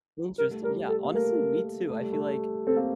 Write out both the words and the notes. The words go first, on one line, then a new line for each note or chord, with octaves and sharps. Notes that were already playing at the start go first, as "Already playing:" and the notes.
Interesting, yeah honestly, me too, I feel like,
G3 A#4
A3
G3 A#4
A4
A#3
A3 A#4
A3
G3
A3
C4 A4
A#3